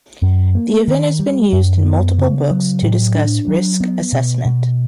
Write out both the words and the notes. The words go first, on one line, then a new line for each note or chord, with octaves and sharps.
The event has been used in multiple books to discuss risk assessment.
F#2
A#3
D#3
G3
F#2
B3
C#3
F#3
A2
D4
F#3
B3
B2
B2